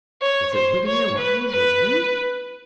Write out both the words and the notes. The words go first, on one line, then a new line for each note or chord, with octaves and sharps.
Is it witty, or wise, or learned?
C#5
C5
C#5
B4
B4